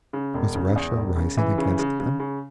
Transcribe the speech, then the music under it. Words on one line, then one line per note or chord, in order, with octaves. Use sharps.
Was Russia rising against them?
C#3
E1
C#3
E2
E1
C#3
E3
C#3
C#3
C#3
C#3